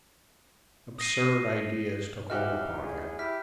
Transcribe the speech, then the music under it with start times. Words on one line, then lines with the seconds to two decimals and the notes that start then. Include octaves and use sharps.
Absurd ideas took hold upon him.
0.99 D#6 A#6 C7 D#7
2.30 E3 D#4 F#4 G4 F5 F6
2.82 E2 G#4
3.19 E4 G4 F6 B6